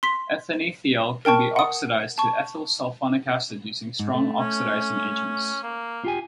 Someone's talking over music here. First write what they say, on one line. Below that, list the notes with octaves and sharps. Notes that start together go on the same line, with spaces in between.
Ethanethiol can be oxidized to ethyl sulfonic acid, using strong oxidizing agents.
C6 B6
A#4 G5 A5 C#6
F#5 D#6
A5 C#6
G#2
A3
C#4
A#3
F4 G4 G#5